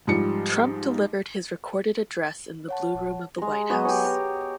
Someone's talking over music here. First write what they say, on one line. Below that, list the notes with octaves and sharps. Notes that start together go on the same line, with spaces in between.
Trump delivered his recorded address in the Blue Room of the White House.
G#2 F3 G3 C#7
C#5 F#5 A5
D#1
G#3 A#5
F#3 B3 D#5 G#5
G4 B4 C#5
A#5